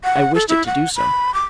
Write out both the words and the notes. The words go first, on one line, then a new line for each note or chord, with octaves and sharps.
"I wished it to do so."
F#5
A4
E4
F#5
B5
D6